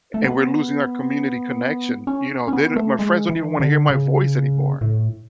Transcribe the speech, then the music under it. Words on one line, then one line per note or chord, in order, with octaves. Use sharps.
and we're losing our community connection. You know, the my friends don't even want to hear my voice anymore.
A3
B3
C#4
C#4
B3
A3
G#3
E3
D3
C#3
A2